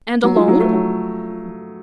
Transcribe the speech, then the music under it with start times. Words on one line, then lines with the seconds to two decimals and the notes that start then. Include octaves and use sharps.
"And alone?"
0.24 F#3
0.36 F3
0.48 F#3
0.60 A3
0.73 F#3